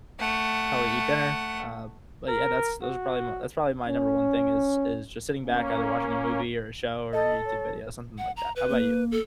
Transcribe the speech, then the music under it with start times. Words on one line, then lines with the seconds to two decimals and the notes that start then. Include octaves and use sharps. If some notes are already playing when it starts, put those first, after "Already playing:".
probably eat dinner. Uh, but yeah, that's those are probably my That's probably my number one thing is is just sitting back either watching a movie or a show or a YouTube video, something like that. How about you?
0.19 A3 F#5
2.28 A#4
2.82 F#4
3.89 C#4
5.45 A#3 C#4
7.13 A4 D#5
7.46 C#5
8.18 F#5
8.37 A#5
8.56 B4
8.70 A#3
9.12 A4